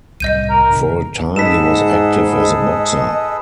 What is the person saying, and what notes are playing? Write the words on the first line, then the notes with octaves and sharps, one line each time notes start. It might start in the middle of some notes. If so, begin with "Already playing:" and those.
For a time, he was active as a boxer.
C2 A2 G3 D#5 G6 D#7
A#4
G#2 C3 D#3
G#2 G#4 A4 B4 D#5 B6 E7